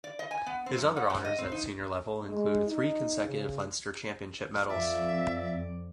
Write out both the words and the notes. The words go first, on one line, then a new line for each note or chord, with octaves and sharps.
His other honours at senior level include three consecutive Leinster Championship medals.
D5
D#5
G#5
B3
C4
F#2
F#5
G#2
D#5
C4
D#4
G#3
D#4
C#3
F2 F4 D5 E5